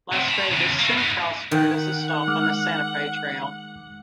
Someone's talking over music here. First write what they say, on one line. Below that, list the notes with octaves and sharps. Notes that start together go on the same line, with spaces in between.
Las Vegas soon prospered as a stop on the Santa Fe Trail.
A3 C4
A5 B5
E2 C#3
A3 A#3
G#2 B3
D#3 F#5
G#3 D6 F6